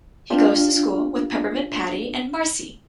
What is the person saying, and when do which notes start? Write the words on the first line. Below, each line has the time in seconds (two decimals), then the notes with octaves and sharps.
He goes to school with Peppermint Patty and Marcie.
0.30 D4 F4 G4 F5